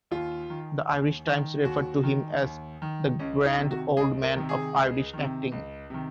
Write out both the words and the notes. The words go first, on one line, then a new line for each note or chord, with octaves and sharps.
"The Irish Times" referred to him as the "grand old man of Irish acting".
D#2 F4
D#3
D#2
D#3
D#2 F#4
D#3
D#2
D#3
C#2 C#4
D#4
C3 D#3
F#4
C#2 G#4
A#4
C3 D#3
G#4
C#2
C3 D#3
C#2
C3 D#3